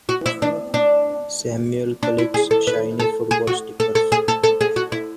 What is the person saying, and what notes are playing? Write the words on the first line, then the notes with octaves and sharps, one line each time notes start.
Samuel collects shiny football stickers.
F#4
E4
D4
D4
D4
E4
G#4
A4
B4
A4
G#4
F#4
A4
A4
G#4
A4
A4
G#4
F#4
E4